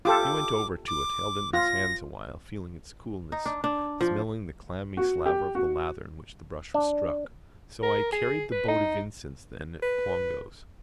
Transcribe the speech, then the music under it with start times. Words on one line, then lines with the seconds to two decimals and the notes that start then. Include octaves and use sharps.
He went over to it, held it in his hands awhile, feeling its coolness, smelling the clammy slaver of the lather in which the brush was stuck. So I carried the boat of incense then at Clongowes.
0.05 F4 G4 A4 D6
0.88 D6
1.53 F4 A#6
3.32 D#4
3.46 D4
3.64 D4
4.01 F3
4.97 F#4
5.26 G4
5.55 F#4
6.74 D4
7.83 A#4
8.13 G#4
8.52 B4
8.68 D#4
9.82 B4